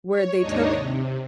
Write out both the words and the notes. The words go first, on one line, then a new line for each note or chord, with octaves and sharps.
where they took
C#5
D#2 G#2 D4 D#4 C#5 D#5
C3